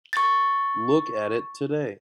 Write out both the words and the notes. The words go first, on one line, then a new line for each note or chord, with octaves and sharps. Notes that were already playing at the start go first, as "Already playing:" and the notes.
Look at it today.
C#6 A6